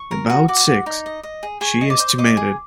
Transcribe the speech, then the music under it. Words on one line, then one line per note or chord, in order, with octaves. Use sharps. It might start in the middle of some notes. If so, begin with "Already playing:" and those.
About six, she estimated.
Already playing: C#6
A#4
F#4
F#4 D6
F#4
D#4
D#5
D#5
G#4
G#4 C#6
D#5
D6
C5
D#5 D6
G#4